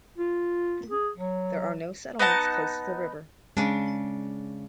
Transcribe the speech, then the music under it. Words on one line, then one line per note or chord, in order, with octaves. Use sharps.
There are no settlements close to the river.
F4
G#4
F#3
B3 D#4 F#5 A5
C#3 G#3 D4